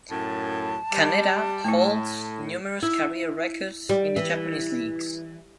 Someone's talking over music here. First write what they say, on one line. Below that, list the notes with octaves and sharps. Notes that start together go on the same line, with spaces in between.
Kaneda holds numerous career records in the Japanese leagues.
F#2 A2 A5
G3
A2 A3 E4
E4
G3
E3